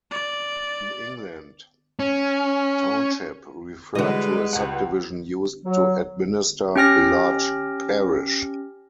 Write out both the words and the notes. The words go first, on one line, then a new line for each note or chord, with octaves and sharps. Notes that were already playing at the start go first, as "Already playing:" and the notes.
In England, "township" referred to a subdivision used to administer a large parish.
D5
C#4
D3 E3 G3 G#3 F#4 B4 D#5
C#2 F#5
F#3
C#4 G4 G5 F6 A#6